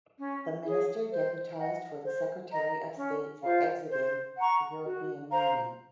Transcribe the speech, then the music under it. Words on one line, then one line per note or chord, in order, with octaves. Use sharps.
The minister deputised for the Secretary of State for Exiting the European Union.
C#4
G#4 C#5
C5
D#5 F#5
C5
D#5 A#5
C#4
F4 C5 F5
C5
F#5 A#5 C#6
F#4
C5 F5 A#5